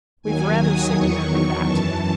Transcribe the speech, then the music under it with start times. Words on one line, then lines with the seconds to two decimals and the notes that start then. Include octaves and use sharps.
We've rather sickened them of that.
0.22 D#2 D#3 F#3 G#5
0.58 D#6
0.93 E2 D#3 F#3 C#6
1.64 F#2 E3 A5